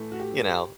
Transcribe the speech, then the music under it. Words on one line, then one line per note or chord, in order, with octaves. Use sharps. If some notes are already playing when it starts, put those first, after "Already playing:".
you know,
Already playing: A2 E3 A3
F#4
G4